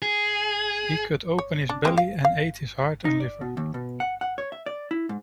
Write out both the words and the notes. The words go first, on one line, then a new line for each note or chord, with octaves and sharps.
He cut open his belly and ate his heart and liver.
G#4
C#5
D4
G#3 A#3 C4
F5
F5
D#4
D5
B2
D#2
B2
F#5
F#5
C#5
E5
D5
E4
G#2